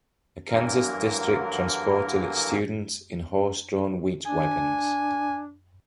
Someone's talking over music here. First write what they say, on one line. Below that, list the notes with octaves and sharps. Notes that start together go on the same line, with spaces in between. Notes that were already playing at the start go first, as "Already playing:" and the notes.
A Kansas district transported its students in horse-drawn wheat wagons.
G2 D3 E3 F#3 A#3 A#4
D4 G#5